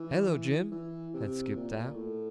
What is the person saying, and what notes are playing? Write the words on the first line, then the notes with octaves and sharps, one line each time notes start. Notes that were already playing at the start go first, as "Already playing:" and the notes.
"Hello, Jim!" and skipped out.
Already playing: E3
E3
C3
A#2
A2